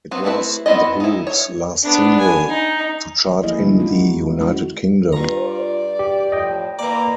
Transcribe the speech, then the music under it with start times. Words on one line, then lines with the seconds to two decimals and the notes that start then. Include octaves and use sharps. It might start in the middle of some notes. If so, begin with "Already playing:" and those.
It was the group's last single to chart in the United Kingdom.
0.11 F#3 B3 C4
0.24 A3 C4 E4 B4
0.66 B3 C4 E4 D5 D#5
1.00 D#4 E4
1.27 C#5
1.83 B3 D4
2.20 G#5
2.49 D#4
3.25 F#3 G3 A3
3.43 F3 A#3 E4 G#4 D#5
3.59 D3 F3 G#3 D4 E4
3.79 G#3 D#4 F4 F#4
4.39 G#3 A3 C#4 E4 F#4
5.13 G2 F4 A#5
5.46 D5
5.99 G4
6.32 A2 F3 D#5 G5
6.79 E3 A#3 D5 A#5